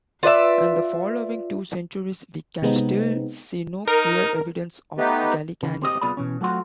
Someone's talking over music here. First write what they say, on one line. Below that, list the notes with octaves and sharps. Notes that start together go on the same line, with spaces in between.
In the following two centuries we can still see no clear evidence of Gallicanism.
F4 B4 D5 E5
C3 G#3 B3 C4 D#4
D#4 A#4
A3 B3 D#4 G4 B4
C#3 E3
C4 G4 D#5
C2 B3 F4 G#4 D5 B5
B2 E3 C#4
F#3 A3 C4 F4 F#4 C6